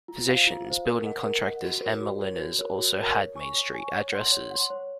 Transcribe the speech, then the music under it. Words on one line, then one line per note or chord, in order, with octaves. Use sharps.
Physicians, building contractors, and milliners also had Main Street addresses.
F4
C5 F5
F4
C5 F5
A#4
D#5 F#5
A#4
D#5 F#5
F#4
A#4 C#5
F#4
A#4 C#5
F#4
A#4 C#5
F#4
A#4 C#5
C#5
G#5 C#6
C#5
G#5 C#6
C#5
F#5 C6
C#5
F#5 C6
C#5